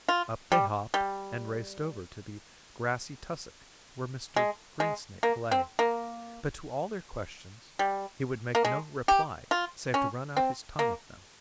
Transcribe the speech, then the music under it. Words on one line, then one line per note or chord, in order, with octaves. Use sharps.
Up they hopped and raced over to the grassy tussock where Mr. Greensnake lay, but to all their questions he would make no reply save to run out his tongue at them.
F4
G3
G3
G#3
G#3
A#3
C4
A#3
G3
A#3
G#3
G4
F4
C#4
C4
A#3